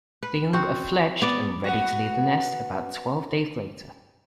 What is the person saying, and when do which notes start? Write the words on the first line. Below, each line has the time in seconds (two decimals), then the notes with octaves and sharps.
The young are fledged and ready to leave the nest about twelve days later.
0.23 B4
0.53 C4 F#4
1.22 B3 D5
1.64 B3 F#4